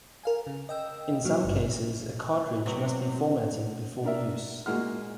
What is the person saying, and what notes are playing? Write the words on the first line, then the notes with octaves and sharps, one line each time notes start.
In some cases a cartridge must be formatted before use.
A#4 F5 G#5
C#3
D#5 G5 E6
A#2 F#3 F6
G#1 G2
C3 F#3 B3
D4 A#4 E5
A#2 G#3 A#3 F#4 F6